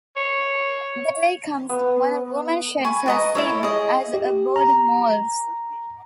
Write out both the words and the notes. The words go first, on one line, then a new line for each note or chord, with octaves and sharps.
The day comes when a woman sheds her sin as a bird moults.
C#5
B3
G#5 B5 C#6
B4 D#5 A#5
E4 A4 C#5
G#4 D#5
G4
A#5